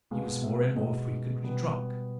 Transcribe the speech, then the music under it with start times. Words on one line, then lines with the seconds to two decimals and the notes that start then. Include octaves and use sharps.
He was more and more frequently drunk.
0.11 B2 G#3 B3 F5
0.44 E5
0.76 B2 G#3 B3 D#5
1.44 B2 G3 B3